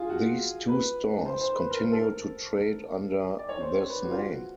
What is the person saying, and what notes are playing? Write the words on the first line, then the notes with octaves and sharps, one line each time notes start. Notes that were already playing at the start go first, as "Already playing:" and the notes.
These two stores continue to trade under this name.
Already playing: F4 G#4
F#4
B4
C5
C5
B4
A#4
A#4
A4
A#4
D5
C#5
C5
C#5
B4
F#4
F4
F#4